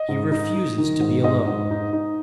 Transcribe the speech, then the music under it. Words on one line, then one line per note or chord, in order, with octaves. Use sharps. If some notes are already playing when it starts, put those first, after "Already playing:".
He refuses to be alone.
Already playing: D#5
G#2
D#4
D#4
D#3
G#2
G#2 D#5
G#2
D#4
D#4